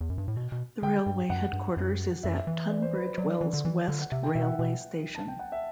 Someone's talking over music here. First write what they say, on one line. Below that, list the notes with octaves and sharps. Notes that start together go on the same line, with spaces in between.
The railway headquarters is at Tunbridge Wells West railway station.
E2
F#2
G2
A2
B2
B2
D3 G5
G2
F#2 F#5
G2
F#2
F#2 E5
E3
D5
C5
B4
C5
F#3 D5
E3
D3
E3
D3
F#5
C3 E5
G5
B2 E5
F#5
E5
B2
A5
G5
F#5
E5